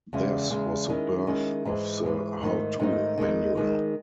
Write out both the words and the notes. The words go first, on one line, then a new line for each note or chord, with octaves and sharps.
This was the birth of the how-to manual.
E2 C#3 G#3
E2 C#3 G#3
D#3 G#3 C#4 E4
D#3 G#3 C#4 E4
G#2 E3 G#3
G#2 E3 G#3
G#2 D#3 A3 D#4
G#2 D#3 A3 D#4
D#3 G#3 D#4
D#3 G#3 D#4